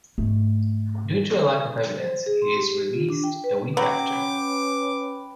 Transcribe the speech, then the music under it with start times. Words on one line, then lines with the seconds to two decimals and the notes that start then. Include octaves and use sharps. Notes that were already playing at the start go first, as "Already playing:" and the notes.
Due to lack of evidence, he is released a week after.
0.18 G#2 A3
1.96 C5
2.26 G#4
2.42 C6
2.56 G4
2.94 F4
3.10 D4
3.24 G5
3.44 B4
3.77 F#3 C#4 B4 G5 D6